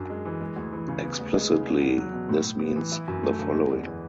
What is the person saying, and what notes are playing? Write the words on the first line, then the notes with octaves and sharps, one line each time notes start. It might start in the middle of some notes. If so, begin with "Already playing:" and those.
Explicitly, this means the following.
Already playing: F#2 D4
G#3
E3
G#3
D2
E3
C#3
B3
D2
G#3
C#3
E2
E2
F#3
B2
A2
A2
B3
E3
E4
F#2
A3
D3
G#3
E2
E3